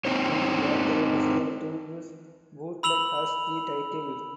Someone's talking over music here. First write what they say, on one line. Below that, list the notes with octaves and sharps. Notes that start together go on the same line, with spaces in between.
He later decided to use "Bootleg" as the title.
C4 D#4 C5 C#5
B5 E6 F7 F#7